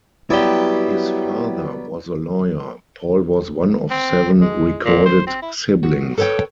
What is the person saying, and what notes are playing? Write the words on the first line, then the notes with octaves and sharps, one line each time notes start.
His father was a lawyer: Paul was one of seven recorded siblings.
F#3 G3 B3 E4 G4
C4
G#3
A#2
C5
C4
E4
F#4
A4 B4 C#5 F#5 G5